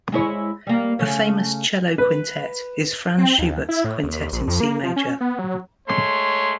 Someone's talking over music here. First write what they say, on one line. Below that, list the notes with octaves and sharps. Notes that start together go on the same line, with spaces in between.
A famous "cello quintet" is Franz Schubert's Quintet in C major.
G#3 E4 C#5
G3 A#3
C#3 A3 C#4
B4
C4
D#2
E4
A2
D#2
A#1
F2
A#3
F3
C#4
B3
F#3
G#3 A3 C#5 C6